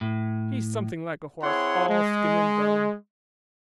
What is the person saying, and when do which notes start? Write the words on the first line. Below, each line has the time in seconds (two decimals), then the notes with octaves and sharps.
He's something like a horse--all skin and bone.
0.01 A2
1.42 C4 E4 G#4 C#5 F#5 C6
1.89 G#3